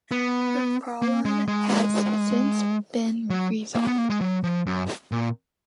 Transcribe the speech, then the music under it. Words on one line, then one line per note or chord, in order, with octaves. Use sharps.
The problem has since been resolved.
B3
A#3
G#3
G#3
F#3
A#3
B3
A#3
G#3
F#3
F3
F#2
A#2